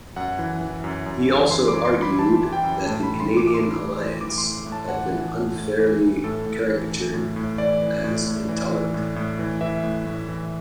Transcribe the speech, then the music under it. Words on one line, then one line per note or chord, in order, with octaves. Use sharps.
He also argued that the Canadian Alliance had been unfairly caricatured as intolerant.
F#2 F#5
E3
E3
F#2
F#2
E3
E3 C6
D6
F#2
C6
F#2
B5
E3 A5
E3
G5
F#2
A2 A5
B5
E3
C6
E3
D6
D6
A2 C6
A2
E3
E3 D6
C6
A2
A2
A5
E3 F#5
E3
A2
A2
E3
E3
A2 A4
A2
E3
E3
A2
A2
E3 D5
E3
A2
A2
E3
E3
A2
A2
E3
E3 E5
A2
A2
E3